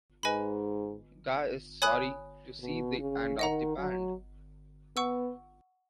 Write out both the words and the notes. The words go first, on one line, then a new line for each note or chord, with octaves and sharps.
Guy is sorry to see the end of the band.
G#2 B4 D#5 G#5 B5
C#5 G#5 B5 D#6 F#6
B2
C#3
D#3 D#5 F#5 A#5
F#3
B3 F#5 C#6 E6